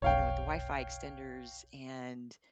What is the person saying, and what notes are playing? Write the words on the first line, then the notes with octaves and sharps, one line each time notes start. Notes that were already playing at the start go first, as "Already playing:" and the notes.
you know, with the Wi-Fi extenders, and,
F1 B1 C#5 F5 G5